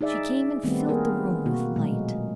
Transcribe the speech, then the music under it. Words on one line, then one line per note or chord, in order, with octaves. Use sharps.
She came, and filled the room with light.
D#4 G#4 D5 E5
D#3 G3 A3 B3 C4
A#3 G#4 A#4
B2 A#3 F#4
A#2 F#3 G#3 A3